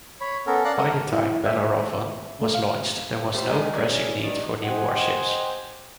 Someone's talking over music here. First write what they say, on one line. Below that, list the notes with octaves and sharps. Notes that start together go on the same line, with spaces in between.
By the time "Bellerophon" was launched, there was no pressing need for new warships.
C#5 B5
B3 C#4 A4 A#4
D5 F5 A#5 F#6
A4 A#4 F#5
E4
E5
A3
F5
G3 C4 E5
D#3 G3 G#3
F#2 B2 C#4 E4 G#4 D5
G2 D#3 D5
G4 C5 D#5 F#5 G#5